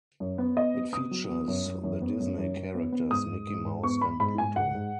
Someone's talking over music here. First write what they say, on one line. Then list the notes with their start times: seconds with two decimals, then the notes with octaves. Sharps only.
It features the Disney characters Mickey Mouse and Pluto.
0.20 F#2
0.38 B3
0.57 B3 D#5
0.75 B3
0.93 B3 D#6
1.11 F#3
1.29 B3
1.48 F#2
1.66 F#2
1.84 F#2
2.02 B3
2.20 F#2
2.38 F#2
2.56 F#2
2.75 B3
2.92 B3
3.11 G#2 D#6
3.29 G#2
3.48 G#2
3.65 G#2
3.83 B3 C#6
4.02 B3 B5
4.20 G#2 B5
4.38 G#2 G#5
4.56 G#2 F#5
4.75 G#2